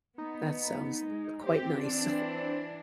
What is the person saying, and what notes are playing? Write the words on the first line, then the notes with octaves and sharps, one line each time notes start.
That sounds quite nice.
B3 D#4
G#3
C4 G4
E3 D4